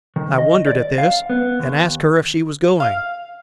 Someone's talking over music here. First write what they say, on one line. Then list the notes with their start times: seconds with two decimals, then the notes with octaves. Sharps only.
I wondered at this, and asked her if she was going.
0.16 D#3
0.38 D#5
0.67 D5
0.98 F5
1.30 B3
1.60 D#2
2.80 F5